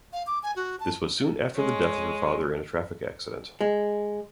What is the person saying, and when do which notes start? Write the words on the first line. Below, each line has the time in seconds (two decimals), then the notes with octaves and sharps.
This was soon after the death of her father in a traffic accident.
0.13 F5
0.27 D6
0.43 G#5
0.56 F#4
0.80 A5
1.55 G#3 C#5
3.61 G#3